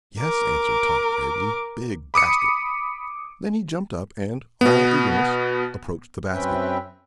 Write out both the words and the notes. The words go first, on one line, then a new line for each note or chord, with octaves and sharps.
"Yes," answered Tot, gravely, "big basket!" Then he jumped up and, all eagerness, approached the basket.
A#4 D6
B5 D6 D#6 C#7
B2 B3
F#2 C4 C#4 B4 E5 G5